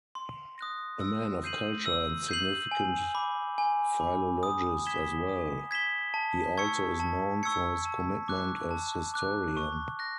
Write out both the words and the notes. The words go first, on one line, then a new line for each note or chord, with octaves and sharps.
A man of culture and significant philologist as well, he also is known for his commitment as historian.
C6
D#6 F#6 A#6
E6
G6 C7 D#7 F#7
E6
G6 C7 D#7 F#7
G#5
B5 D6
G#5
B5 D6
D#6
G#6 B6 E7 G7
D#6
G#6 B6 E7 G7
A5
C#6 E6 G#6 C#7
A5
C#6 E6 G#6 C#7
A5
D6 F#6
A5
D6 F#6
C#6
F#6 A#6